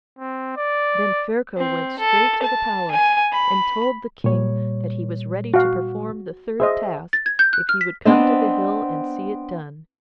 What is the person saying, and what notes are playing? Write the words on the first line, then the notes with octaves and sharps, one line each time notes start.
Then Ferko went straight to the palace and told the King that he was ready to perform the third task if he would come to the hill and see it done.
C4
D5
C4
A4
A5
G#5
B5
A#2 G3 C#5
F#4 F5
G#4 C5 D#5 E5
A6
G#6
G6
F#6
F6
B6
B3 C4 D4 C5 D#5